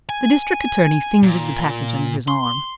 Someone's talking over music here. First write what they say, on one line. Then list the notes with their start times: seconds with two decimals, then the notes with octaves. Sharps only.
The district attorney fingered the package under his arm.
0.09 G#5
1.23 A#2
2.28 C6